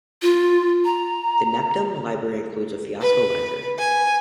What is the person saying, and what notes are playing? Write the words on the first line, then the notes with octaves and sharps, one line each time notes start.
The Netpbm library includes a Fiasco library.
F4
A#5
B4
G#5